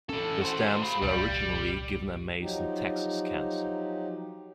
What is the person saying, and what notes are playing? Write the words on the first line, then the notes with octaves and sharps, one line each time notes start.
The stamps were originally given a Mason, Texas cancel.
E3 C#4 A4
F#4 C5
F5 B5
D#1 C2 G3
F3 F#3 D#4 G4